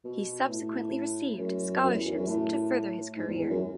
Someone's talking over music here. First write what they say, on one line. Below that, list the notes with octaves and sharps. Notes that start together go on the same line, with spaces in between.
He subsequently received scholarships to further his career.
B2
A2
F#2
F#2
E2
E2
F#2
A2
G#2
E2
E2
F#2